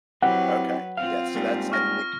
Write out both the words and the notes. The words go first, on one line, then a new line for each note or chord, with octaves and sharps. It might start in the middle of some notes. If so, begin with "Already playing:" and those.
Okay, yeah, see, that's I think
F#3 C4 E4 G4 B4 F#5
C4 F4 F5
G#2 G3 A#3
C#6 F6 A#6